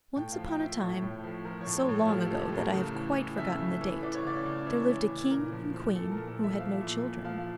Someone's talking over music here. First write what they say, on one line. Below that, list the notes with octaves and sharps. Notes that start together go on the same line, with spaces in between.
Once upon a time, so long ago that I have quite forgotten the date, there lived a king and queen who had no children.
A2 G5
F5
F3
G5
F3 E5
A2 C#5
A2
F3
F3 A#4
C#5
A2
C#5
A2
A4
F4
F3 G4
A4
F3
G4
A2 A#4
C#3
E3
E3
C#3 E5
C#3
E3
E3 D5
C#5
C#3 D5
C#3
E3 C#5
E3
C#3
A#2 A#4
F3
F3
A#2 A4
A#4
A#2
A4
F3
E5
F3 F5
A#2
A#2
F3 F5